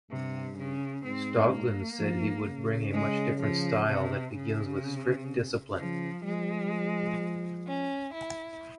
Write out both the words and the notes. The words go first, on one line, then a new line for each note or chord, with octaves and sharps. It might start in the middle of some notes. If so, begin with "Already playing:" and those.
Stoglin said he would bring a much different style that begins with strict discipline.
G2 C3
C#3
G#2 C4
A#3
F3
C#3
G#3
F3
C3
C#3
C3
C#3 F3
F3 G#3
C#4
E4